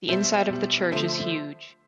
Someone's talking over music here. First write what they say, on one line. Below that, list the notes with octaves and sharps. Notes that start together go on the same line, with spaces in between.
The inside of the church is huge.
B2 G3 C5 E5
B2 G3
D3 F3 A3 C5 E5